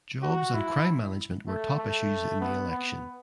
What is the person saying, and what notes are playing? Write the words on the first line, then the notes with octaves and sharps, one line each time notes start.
Jobs and crime management were top issues in the election.
F#4
E4
A3
A3
B3
B3